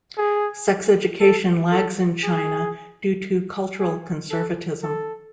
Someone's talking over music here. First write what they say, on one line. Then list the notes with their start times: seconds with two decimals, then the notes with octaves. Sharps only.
Sex education lags in China due to cultural conservatism.
0.17 G#4
1.20 A4
1.71 A4
2.23 G#4
3.79 G#4
4.31 A4
4.83 A4